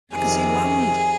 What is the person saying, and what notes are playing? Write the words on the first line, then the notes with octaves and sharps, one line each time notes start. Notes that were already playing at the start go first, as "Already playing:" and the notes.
I can see land!
F2 C3 D#3 G#4